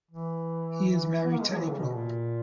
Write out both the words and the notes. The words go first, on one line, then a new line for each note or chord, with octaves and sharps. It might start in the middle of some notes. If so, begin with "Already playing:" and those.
He is married to Apryl.
E3
B3
A#3
G#3
F#3
E3
C#3
B2
A#2